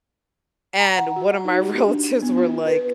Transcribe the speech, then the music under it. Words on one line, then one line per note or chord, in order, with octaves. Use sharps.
and one of my relatives were like,
A#5
F#5
F#4
D#4
G4
D4
B3
F4
B4